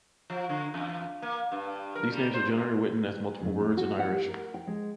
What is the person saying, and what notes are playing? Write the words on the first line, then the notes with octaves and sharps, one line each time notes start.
These names are generally written as multiple words in Irish.
F3
D3
E2
A#3
G2
A#4
G3
C5
C3
F#2
A3
F#4
F#5
G4
A#4
G5
G#3